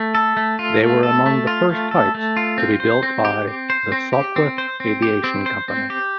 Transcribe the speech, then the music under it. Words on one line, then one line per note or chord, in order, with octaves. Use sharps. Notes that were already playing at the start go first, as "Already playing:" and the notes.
They were among the first types to be built by the Sopwith Aviation Company.
Already playing: A3
A4
A3
F4
A3
A4
A3
F4
A3
A4
A3
F4
C4
C5
C4
G4
C4
C5
C4
G4
C4
C5
C4
G4
C4
C5
C4
G4